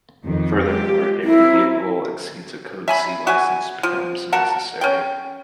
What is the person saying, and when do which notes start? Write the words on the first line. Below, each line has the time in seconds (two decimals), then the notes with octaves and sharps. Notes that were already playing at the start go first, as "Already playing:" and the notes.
Furthermore, if the vehicle exceeds a code C license becomes necessary.
0.24 F2 D#3
0.62 G#3 F4 G4
1.23 C4 E4 A#4
2.88 E5 G#5 B5
3.27 F#4 E5 G#5
3.83 F3
4.33 F#4 A#4 F#5 A5
4.81 C#4 G5